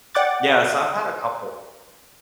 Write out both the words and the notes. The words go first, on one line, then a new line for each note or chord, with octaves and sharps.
Yeah, so I've had a couple.
D5 F#5 G5 D6 F#6 A6